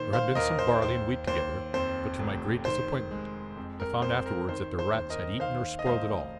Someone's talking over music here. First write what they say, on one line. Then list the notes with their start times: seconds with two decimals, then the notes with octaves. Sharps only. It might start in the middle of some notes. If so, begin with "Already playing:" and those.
There had been some barley and wheat together; but, to my great disappointment, I found afterwards that the rats had eaten or spoiled it all.
Already playing: A#2 D#3 C5
0.13 C5 F5
0.35 D#2 A#4 D#5
0.59 C5
0.82 D#2 C5
1.27 D#2 C5
1.73 F2 C5
2.19 F1
2.65 D#3 C5
3.11 G#3
3.57 F2
3.80 A#4
4.02 F2 C5
4.26 A#4
4.48 D#3 C5
4.79 C5
4.95 D#2
5.10 A#4 D#5
5.40 D#3 C5 F5
5.79 D#5
5.86 F1 C5 F5